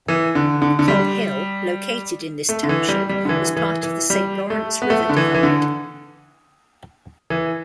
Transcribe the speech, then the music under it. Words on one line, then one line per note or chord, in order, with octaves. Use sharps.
Cobb Hill, located in this township, is part of the Saint Lawrence River Divide.
E3
D3
D3
D3
G3
A3
D3
E3
G3
G3
D3
E3
E3
E3
G3
A3
B3
A3
D3
E3
E3
D3
E3